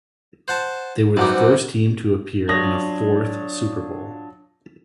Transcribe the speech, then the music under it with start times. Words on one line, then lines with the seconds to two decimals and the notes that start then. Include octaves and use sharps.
They were the first team to appear in a fourth Super Bowl.
0.48 C5 F#5 A5
1.17 F#2 G3 D#4 F#4 B4 C5 D6
2.49 F#3 D4 F4 C#5 D#6 A#6